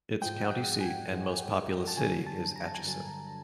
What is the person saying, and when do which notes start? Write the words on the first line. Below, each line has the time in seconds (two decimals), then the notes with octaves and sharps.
Its county seat and most populous city is Atchison.
0.21 G#2 F3 G#3 G5
0.45 F#5
0.51 G5
0.80 G#5
1.10 G#2 F3 G#3
1.87 A5
1.97 G2 D3 F#3 G#5
2.26 A5
2.56 A#5
2.65 A5
2.74 G#5
2.84 G2 D3 F#3 A5